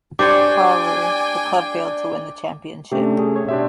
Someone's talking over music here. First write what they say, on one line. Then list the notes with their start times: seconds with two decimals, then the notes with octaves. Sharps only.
However, the club failed to win the championship.
0.19 D4 G4 C5 C#5 G5 G#5 D6
2.92 C3 A3 C#4 D4 G4
3.19 C#4 G4 G#4
3.36 C#5
3.48 B2 D4 G4 E5 C6